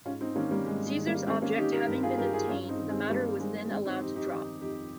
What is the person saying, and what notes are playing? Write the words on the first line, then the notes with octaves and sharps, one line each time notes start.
Caesar's object having been attained, the matter was then allowed to drop.
G#2 C#4 F4
C4 D#4
D#3 A#3 C#4
G3 A#3
G#2 G#3
G#3
D#3
G3 A#3
D#3 G#3 C4
A#3 C#4
D#3 D#4 G4
G4 A#4
G2
F4 G#4
G2 G4 A#4
F4 G#4
G2 C#4 F4
C4 D#4
D#3
G#3 C4
G2 G3 A#3
G2 G#3 C4
D#3 G#3 C4
C4 D#4
F2 D#4 G4
D#4 G4
D#3 D#4 G4
F2 D#4 G4